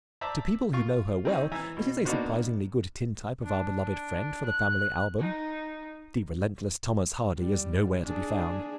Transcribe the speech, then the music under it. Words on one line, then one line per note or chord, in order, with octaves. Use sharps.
To people who know her well it is a surprisingly good tintype of our beloved friend, for the family album. The relentless Thomas Hardy is nowhere to be found.
C5 D5 E5 A5 A#5
F4 F5 C#6
C4 C#4 D#4
E3 E5 G#5 A#5
B2
A#3 B3 D4 D#4 F#4 C5
D4
F#6
D#4
G3
D4 G#4